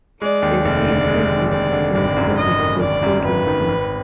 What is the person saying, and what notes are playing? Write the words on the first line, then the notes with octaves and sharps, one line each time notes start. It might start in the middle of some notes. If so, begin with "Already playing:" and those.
The painting is notable for two reasons.
G#3 D5
D#2
F1 D5
D3
G#3
D#2
F1 D5
D3
G#1 D5
F#2
G#1 D#5
D#3
G#1 D5
F#2
G#1 B4
D#3
G#1